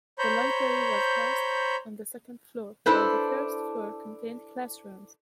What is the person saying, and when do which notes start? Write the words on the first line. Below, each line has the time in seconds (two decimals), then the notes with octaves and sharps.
The library was housed on the second floor, while the first floor contained classrooms.
0.19 C5 C#5 A#5 B5 G6
2.86 D4 E4 A4 B4 C5